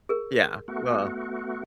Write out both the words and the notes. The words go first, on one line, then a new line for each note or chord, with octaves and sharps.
Yeah, well
G#4 A#4
A3 B3 F#4